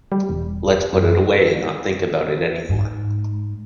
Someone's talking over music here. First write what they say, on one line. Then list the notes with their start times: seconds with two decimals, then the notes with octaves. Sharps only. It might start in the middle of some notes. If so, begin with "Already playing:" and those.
Let’s put it away and not think about it anymore.
0.12 G3
0.29 E1
0.93 F#2
2.69 G#2